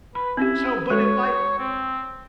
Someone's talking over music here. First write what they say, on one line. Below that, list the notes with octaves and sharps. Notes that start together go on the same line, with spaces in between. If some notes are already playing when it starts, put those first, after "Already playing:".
So, but if I
B4 B5
C4 C#4 E4 G4
G#3 F#4 A4 C#5
C4